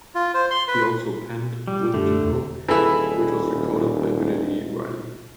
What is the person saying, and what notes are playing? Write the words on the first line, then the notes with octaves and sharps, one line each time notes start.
He also penned "Wouldn't You Know", which was recorded by Billy Lee Riley.
F4
C5
C6
B4
G3
F#2 D3 A3 G4
E2
D#1 E3 E4 G#4 A4 G#5